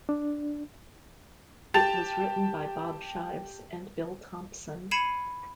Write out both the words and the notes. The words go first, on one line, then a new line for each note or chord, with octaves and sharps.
It was written by Bob Shives and Bill Thompson.
D4
G4 A5 A6 F7
B5 G#6 C7 C#7 D#7 E7